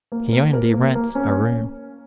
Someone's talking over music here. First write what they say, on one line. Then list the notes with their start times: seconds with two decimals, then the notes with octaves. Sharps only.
He only rents a room.
0.12 A#3
0.32 A#3
0.53 A#4
0.74 A#3
0.95 A#3
1.15 C#4